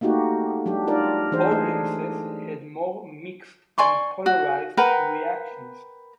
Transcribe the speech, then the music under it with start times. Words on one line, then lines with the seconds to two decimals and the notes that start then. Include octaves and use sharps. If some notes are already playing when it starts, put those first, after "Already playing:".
Audiences had more mixed and polarised reactions.
0.01 A3 A#3 D#4 F#4 G4
0.66 F#3 G#3 D4 G4
0.87 D#4 F4 A#4 D5
1.32 E3 D4 G#4 C5
1.51 A3 G#4 D#5
3.78 D5 G#5 C6 C#6
4.26 F#4
4.77 A#4 B4 F#5 G5